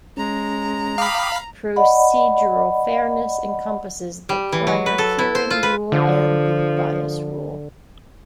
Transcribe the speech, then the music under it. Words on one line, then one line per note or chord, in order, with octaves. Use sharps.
Procedural fairness encompasses the prior hearing rule and the bias rule.
G#3 C#4 A#5
F5 G5 B5 D6 D#6
D5 D#5 F#5 B5
G3
E3
F#3
B4
A4
E4
C5
F4
B4
D3 F3